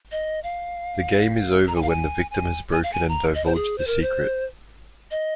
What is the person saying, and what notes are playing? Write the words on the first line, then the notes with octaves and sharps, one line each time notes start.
The game is over when the victim has broken and divulged the secret.
D#5
F5
A#5
G#5
F5
G#5
G#5
G#5
F5
G#5
A#5
D#5
C5
G#4
C5
A#4
C5
D#5